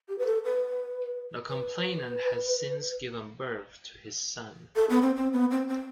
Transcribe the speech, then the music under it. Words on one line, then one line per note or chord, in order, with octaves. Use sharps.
The complainant has since given birth to his son.
G4
B4
A4
B4
B4
A4
B3
C4
C4
B3
C4
C4